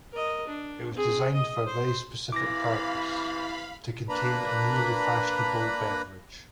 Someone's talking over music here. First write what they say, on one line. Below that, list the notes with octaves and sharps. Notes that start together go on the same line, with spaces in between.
It was designed for a very specific purpose: to contain a newly fashionable beverage.
A#4 D#5
D4
C4 G#4
D#5 D#6
C5
C3 E3 E4 F5 B5 D6 A#6
A#3 D4 B4 A#5 B5